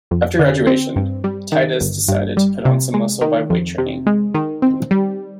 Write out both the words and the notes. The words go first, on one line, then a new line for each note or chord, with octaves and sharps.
After graduation Titus decided to put on some muscle by weight training.
F2
D3
C4
G2
G3
D#3
G1
G2
G3
C3
G#3
D#3
F2
C3
G#3
D#3
C4
G3